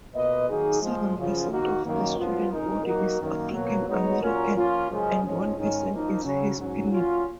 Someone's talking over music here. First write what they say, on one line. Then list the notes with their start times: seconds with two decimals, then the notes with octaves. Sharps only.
Seven percent of the student body is African American and one percent is Hispanic.
0.14 B2 A#3 F4 B4 D#5
0.48 D#3 F#3 A#3 D#4 G#4
0.82 F2 F3 G#3
1.16 F#2 C#3 F3
1.50 D#2 D#3 A#3 D#4 F#4
1.84 F#2 D#3 A#3
2.18 F#2 F3 B3 F4
2.51 F2 C#3 G#3 D#4 A#4
2.85 F#3 A#3 D#4 F#4 A#4
3.20 F#2 D#3 A#3
3.52 B2 F#3 A#3
3.86 G#3 B3 D#4 F#4 C#5
4.21 A#2 F#3 C#4 F4 A#4
4.55 F3 A#3 C#4 F4
4.89 F#2 C#3 F3 G#3 C#4
5.22 G#2 F3 G#3 C#4
5.55 G#2 D#3 G#3 C#4
5.90 F#2 F3 A#3 D#4
6.23 C#3 F#3 C#4
6.57 G#2 F#3 C#4
6.91 A#2 F#3 C#4 F4